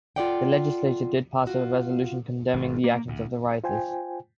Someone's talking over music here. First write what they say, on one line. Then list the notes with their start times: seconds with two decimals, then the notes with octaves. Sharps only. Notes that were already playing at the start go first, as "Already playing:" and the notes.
The legislature did pass a resolution condemning the actions of the rioters.
0.16 F4 G#4 A4 D5 F#5 G5
1.47 F4 F#4
2.53 G#1
2.84 A#3
3.08 D2
3.64 F4 C5 G5 G#5